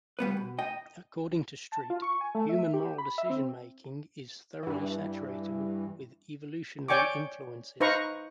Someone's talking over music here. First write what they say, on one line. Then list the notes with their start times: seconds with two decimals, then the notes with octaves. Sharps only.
According to Street, human moral decision-making is "thoroughly saturated" with evolutionary influences.
0.19 C#2 G3 B3 B4
0.37 B2
0.59 D#5 G5
1.72 A5
1.90 F4
2.02 C#6
2.21 G#5
2.35 A3
2.49 E5
2.74 G4
2.98 B5
3.18 E5
3.30 C4
4.63 G2 E3
6.88 C#5 D5 G5 G#5 C#6 D6
7.80 D#4 B4 C5 F5 A#5 C#6